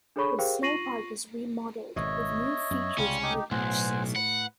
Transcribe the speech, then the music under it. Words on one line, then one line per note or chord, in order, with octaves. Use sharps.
The snowpark is re-modelled with new features added each season.
D4 G#4 A4 C#5 B5 C#6
G4 G#4 A#4 C5 F5 G5
F4 C#6 A#6 C7 D#7 F#7
G#1 B2 C#5 D#5 E5
F#2
C2 C#3 G3 G#3 C#4 F4
D#4 G4
B1 A2 C5 F#5 G#5
B4 F#5